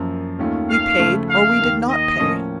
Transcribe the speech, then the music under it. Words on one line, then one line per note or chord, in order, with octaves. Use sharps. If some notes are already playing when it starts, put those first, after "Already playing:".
We paid or we did not pay.
Already playing: F#2 F3 A#3
D#2 D#3 A3 C#4 F4
F5
C#3 F3 A3
F5
D#2 D#3 A#3
D#5
A2 F3 A#3 C#4